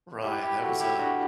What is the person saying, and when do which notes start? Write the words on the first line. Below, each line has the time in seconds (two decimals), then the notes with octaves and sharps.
Right, that was a
0.24 E4 G4
0.43 E4 G4
0.62 F#4 A4
0.81 E4 G4
0.99 D4 F#4